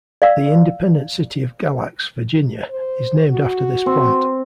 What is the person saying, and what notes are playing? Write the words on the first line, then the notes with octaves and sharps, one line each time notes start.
The independent city of Galax, Virginia, is named after this plant.
D5 F5 E6
C5
F#4
C4